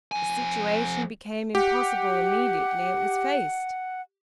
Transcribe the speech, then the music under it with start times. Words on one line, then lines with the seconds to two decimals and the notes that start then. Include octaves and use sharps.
The situation became impossible immediately it was faced.
0.12 F2 G#5
1.55 G4 F#5